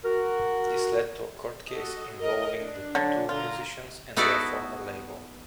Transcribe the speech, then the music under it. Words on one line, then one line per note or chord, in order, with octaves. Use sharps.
This led to a court case involving the two musicians and their former label.
F#4 A#4
F#4 A4 D#5
A#4 D#5
D4
D3 F#3
D3 F4 A#5
B3 D#4 E4 F#4 A4 D5